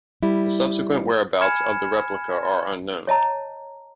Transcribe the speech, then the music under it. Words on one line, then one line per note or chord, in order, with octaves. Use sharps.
The subsequent whereabouts of the replica are unknown.
G3 E4
G#5 B5 F6 G#6 C#7 E7
C#5 D#5 A5 A#5